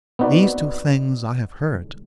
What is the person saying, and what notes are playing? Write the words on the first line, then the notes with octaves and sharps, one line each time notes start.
These two things I have heard.
B3 C4 D#4 F#4 B4 D5